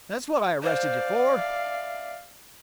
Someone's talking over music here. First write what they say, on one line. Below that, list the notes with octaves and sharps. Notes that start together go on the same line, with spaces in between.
"That's what I arrested you for."
C5 D5 F5
E5